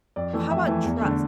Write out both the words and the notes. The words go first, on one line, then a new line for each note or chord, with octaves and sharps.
How about trust?
F2 D5
E3 A3
F2 E5
E3 A3
E2
D3 A3